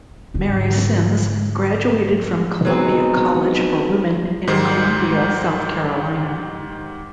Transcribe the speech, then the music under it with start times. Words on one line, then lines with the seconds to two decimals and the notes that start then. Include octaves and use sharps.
Mary Simms graduated from Columbia College for Women in Columbia, South Carolina.
0.34 G#2 D3
2.65 F#3 G#3 B3 C4 D#4
4.47 G#2 D#3 G3 C5